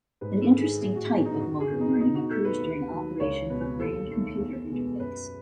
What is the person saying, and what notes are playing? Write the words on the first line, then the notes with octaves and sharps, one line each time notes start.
An interesting type of motor learning occurs during operation of a brain-computer interface.
G#2 B4
A4
D#3 G#3
G#4
A2 G#4
F#4
E3 B3
D#4
F#2 F#4
G#4
D#3 F#3 B3
D#4
B2 D#4
F#4
A3 A4
B4
D#2
D#3 F#3
C#2 C#5
B2 F#3 B4
D#2 A4
D#3 A3
E2
B2 G#3 B3
F#2 B4